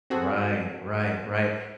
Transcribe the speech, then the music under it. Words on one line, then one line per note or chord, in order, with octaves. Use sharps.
Right, right, right.
C4 F#4 G#4 A4